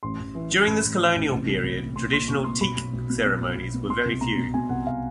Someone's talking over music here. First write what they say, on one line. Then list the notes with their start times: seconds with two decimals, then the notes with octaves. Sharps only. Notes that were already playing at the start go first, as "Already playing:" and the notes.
During this colonial period, traditional Teke ceremonies were very few.
0.03 A1 C6
0.20 A1
0.35 E3
0.51 E3
0.67 A1 B5
0.84 A1
1.00 E3
1.16 A1
1.32 C2
1.48 C2
1.64 C2
1.81 A#2
1.96 A#2 C6
2.12 A#2 C6
2.28 C2 C#6
2.44 A#2 C6
2.60 B1 B5
2.77 B1
2.94 B1
3.10 B2
3.26 B2
3.41 B1
3.57 B1
3.74 B2
3.89 B2 C6
4.06 C2
4.21 B2 A#5
4.38 B2
4.54 B2 G#5
4.69 C2 F#5
4.87 F5